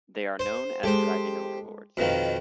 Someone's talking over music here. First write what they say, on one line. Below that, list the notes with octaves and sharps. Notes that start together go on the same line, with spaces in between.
They are known as Dragon Overlords.
C5
G#3 G4 A4 C5
F2 B2 D#3 B4 F5